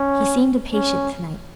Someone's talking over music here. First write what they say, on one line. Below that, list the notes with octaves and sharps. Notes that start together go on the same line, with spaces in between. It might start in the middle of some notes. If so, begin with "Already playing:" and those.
He seemed impatient to-night.
Already playing: C#4
C#4